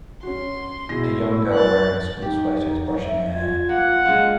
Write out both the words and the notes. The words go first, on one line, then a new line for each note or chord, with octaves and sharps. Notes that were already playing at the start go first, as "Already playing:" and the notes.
A young girl wearing a school sweeter is brushing her hair.
C#4 F#4 C6
B2 E4 G#4 A#6
F#6 A6
D#4 G4
E5
F4 G#6
A#3 F#5
G#3 D4 F4